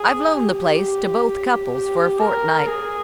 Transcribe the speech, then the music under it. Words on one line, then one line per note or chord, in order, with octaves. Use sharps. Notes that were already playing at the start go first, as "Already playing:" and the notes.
I've loaned the place to both couples for a fortnight.
Already playing: G#4
G4
G4
A#4
G#4